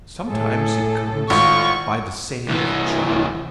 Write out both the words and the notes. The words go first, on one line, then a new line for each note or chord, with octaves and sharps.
Sometimes it comes by the saying of a charm.
A2 G#4 A4
G#1 F4 C#6
C2 E3